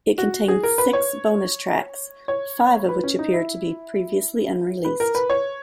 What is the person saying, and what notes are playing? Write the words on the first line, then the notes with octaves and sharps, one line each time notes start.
It contains six bonus tracks, five of which appear to be "previously unreleased".
F#4
G#4
A#4
B4
C#5
C#5
B4
C#4
D#4
E4
B4
A#4
B4
C#5